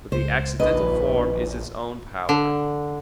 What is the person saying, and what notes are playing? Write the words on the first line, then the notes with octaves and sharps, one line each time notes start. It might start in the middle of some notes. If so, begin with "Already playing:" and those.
But the accidental form is its own power.
C#2 C5
A#1 D#2 B4 D#5
D3